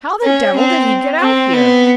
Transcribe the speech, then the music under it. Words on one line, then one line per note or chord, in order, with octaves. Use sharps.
"How the devil did he get out here?"
C#4
C4
C4
B3